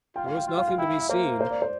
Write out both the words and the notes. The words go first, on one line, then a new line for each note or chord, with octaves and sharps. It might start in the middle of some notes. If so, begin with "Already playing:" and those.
There was nothing to be seen.
F4 G5
F5
G5
F4
F5
F5
E4 G5
F5
E5
A#3 C5
C5
D5
C5